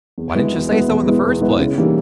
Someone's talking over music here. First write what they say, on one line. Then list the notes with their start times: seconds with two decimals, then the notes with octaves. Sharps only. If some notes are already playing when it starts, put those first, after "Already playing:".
Why didn't you say so in the first place?
0.18 E2
0.35 B2 G#3 B3 E4
0.53 E2
0.71 B2 G#3 B3 E4
0.88 E2
1.06 B2 G#3 B3 E4
1.24 E2
1.41 B2 G#3 B3 E4
1.59 C#3
1.76 E3 G3 A#3 D#4